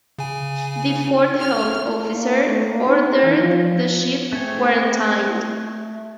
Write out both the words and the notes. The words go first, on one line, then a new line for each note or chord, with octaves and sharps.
The port health officer ordered the ship quarantined.
C#3 G#5
F6
A#3
A3
A#3
D#4
E3
F3
A3 C4 G#4 C#5